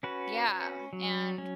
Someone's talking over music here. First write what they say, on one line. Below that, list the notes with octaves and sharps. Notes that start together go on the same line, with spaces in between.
yeah, and
C#4 F#4 B4
C#4
F#3
C#4